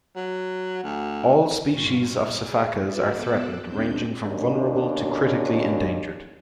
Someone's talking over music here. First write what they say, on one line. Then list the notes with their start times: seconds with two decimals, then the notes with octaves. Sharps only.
All species of sifakas are threatened, ranging from vulnerable to critically endangered.
0.16 F#3
0.84 D2
1.70 G2 A#2 F4 C#6
2.01 E6 F6
2.39 G#4
2.81 F#4 B4 D5 E5
3.10 B3 A4 C5 D6 E6 F#6
3.63 D#2 A#2 G#3 C4 D4 G6
4.26 D#2 B2 C#4 D4